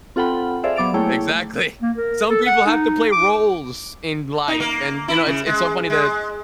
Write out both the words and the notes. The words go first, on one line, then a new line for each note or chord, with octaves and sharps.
Exactly. Some people have to play roles in life, and, you know, it's it's so funny that,
C4 F4 A4 F#5 G5 B5
G#4 A4 C5 D5 E5 F5
F#3 B3 D6 A6 D7 F7
A3 A#3 E4 G#4 C#5 G5
A#3
A#4
A4
F#5
D#4
D6
D#4
A#3
E4
C#3
G#3
G#3